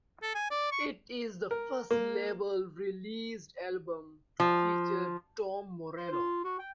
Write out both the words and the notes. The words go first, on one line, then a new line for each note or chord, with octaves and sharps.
It is the first label-released album to feature Tom Morello.
A4
G#5
D5
C#6
A#4
A#3
F3
C5
F4
F#4
G5